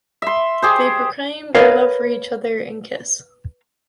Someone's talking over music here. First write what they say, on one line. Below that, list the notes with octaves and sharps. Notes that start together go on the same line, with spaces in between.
They proclaim their love for each other and kiss.
E5 C6
G4 G#4 C5
A#4 B4 C#5 D#5 F5